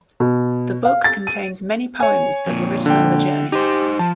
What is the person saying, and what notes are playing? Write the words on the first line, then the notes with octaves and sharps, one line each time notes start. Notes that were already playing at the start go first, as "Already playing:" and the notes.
The book contains many poems that were written on the journey.
B2
F5
A6
D#7
C#5 G#5
F2 A#2
D3 G5
D#4 G4 C5
F3 A5